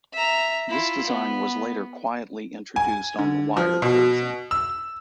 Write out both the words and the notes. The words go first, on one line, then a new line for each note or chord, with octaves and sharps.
This design was later quietly introduced on the wired version.
E5 A#5
E4 F4
B3
G#5
D3
F3
B2
E6